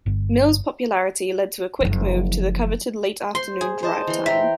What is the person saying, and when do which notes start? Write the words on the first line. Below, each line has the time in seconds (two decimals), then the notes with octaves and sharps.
Mills' popularity led to a quick move to the coveted late afternoon 'drive time'.
0.06 G1
1.80 F#1 F3
3.35 C5 C6
3.61 G#4
3.83 C5 D#5 A5
4.07 E3 C6
4.26 E5 G5 A#5 C6